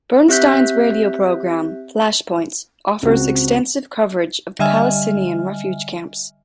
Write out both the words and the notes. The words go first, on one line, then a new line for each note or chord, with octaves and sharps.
Bernstein's radio program, Flashpoints, offers extensive coverage of the Palestinian refugee camps.
C4 G4 E5 F#6 G6 B6
C#2 C4 F#4
D3 G3 D#5 E5 G#5 F6